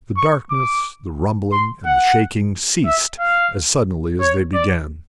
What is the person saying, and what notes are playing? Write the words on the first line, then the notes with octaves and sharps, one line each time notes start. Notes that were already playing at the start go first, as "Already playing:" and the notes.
The darkness, the rumbling, and the shaking ceased as suddenly as they began.
C#6
D6
C6
F#5
E5
F5
C#5
D5